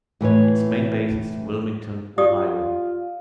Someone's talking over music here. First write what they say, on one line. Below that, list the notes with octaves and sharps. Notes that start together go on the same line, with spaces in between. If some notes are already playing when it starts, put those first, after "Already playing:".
Its main base is Wilmington, Ohio.
A2 E3 B4 C#5
F4 G4 D5 D#6